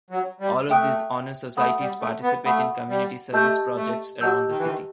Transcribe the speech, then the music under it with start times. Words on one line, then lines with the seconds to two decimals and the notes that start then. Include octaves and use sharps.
All of these honor societies participate in community service projects around the city.
0.10 F#3
0.40 G3
0.69 A3 E5 G5 D#6 F#6
1.57 A3 F#5 B5 D#6
1.79 G3
2.00 A3
2.22 B3
2.45 A3 F#5 B5 D#6
2.89 G3
3.33 A3 G4 D#5 A5 E6 G6
3.76 A3
4.20 F#3 G4 D#5 A5 E6 G6
4.49 D#3
4.58 E3
4.65 D#3